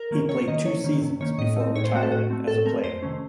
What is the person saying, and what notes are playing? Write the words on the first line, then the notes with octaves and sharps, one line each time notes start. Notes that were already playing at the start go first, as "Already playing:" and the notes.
He played two seasons before retiring as a player.
Already playing: A#4
D#3 A#3 C#4
C3 C#5
D#3 A#3 C#4 D#5
C3 C#5
D#3 A#3 C#4
C3
D#3 A#3 C#4 C#5
A2 D#5
A3 C4
A2 C#5
C5
A3 C4 F#4
A4
A2 F#4
A3 C4
A2 A4
A3 C4 A#4
F2 C5
C3 D#3 A3 C#4